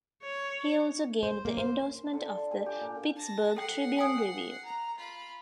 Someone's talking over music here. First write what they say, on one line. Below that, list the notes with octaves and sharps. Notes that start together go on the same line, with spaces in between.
He also gained the endorsement of the "Pittsburgh Tribune-Review".
C#5
C5
A#3
C5
D3
F4
G#5
G4
A#2
A5 A#6
A4 F#5 G5 C7
G5 G#5 D#6
A#5
F4 B5